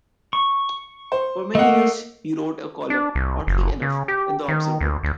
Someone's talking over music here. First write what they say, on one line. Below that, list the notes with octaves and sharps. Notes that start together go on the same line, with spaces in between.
For many years he wrote a column, "Oddly Enough", in "The Observer".
C#6
C5
A3 A#3 D#5 F#5
D4
C2
F#1
C#3
G4
D#3
D2
D2